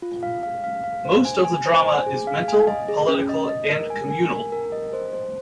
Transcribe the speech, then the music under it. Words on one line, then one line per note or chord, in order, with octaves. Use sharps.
Most of the drama is mental, political, and communal.
F4
F5
F5
F5
F5
C5
G#5
G#5
C5
G#5
G#4
F5
G#5
D#5
G#4
C#4
D#5
D#5
A#4
G#5
G#5
A#4
A#4
D#5
C5
C5